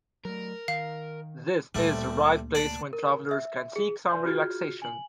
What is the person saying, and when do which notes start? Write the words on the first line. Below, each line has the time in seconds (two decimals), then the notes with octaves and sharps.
This is the right place when travelers can seek some relaxation.
0.25 F#3 A3 A#4
0.68 D#3 F5
1.75 D2 A#2 G3 A3 C4
2.55 D4 D5
2.93 A#4
3.31 E5
3.76 G#4
4.09 B4 D5 E5 G#5 C6 G6
4.25 F4 F#4 G#4 F6 G6 G#6
4.82 G#5 F#7